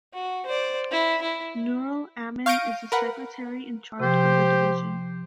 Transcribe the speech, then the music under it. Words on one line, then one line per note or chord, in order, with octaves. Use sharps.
Nurul Amin is the Secretary in charge of the division.
F#4
C5 D5
E4
E4
F5 C#6 G6 A#6 D7 D#7
A#4 B4 F#5
C3 F3 G4 C5